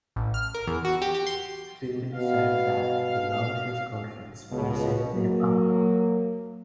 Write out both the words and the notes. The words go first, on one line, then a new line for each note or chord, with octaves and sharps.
Fielding said that he loved his girlfriends dressing him up.
A1
F6
A#4
E2
F#4
G4
G4
C6
B2 F5
C#2 B2
F#3 A#3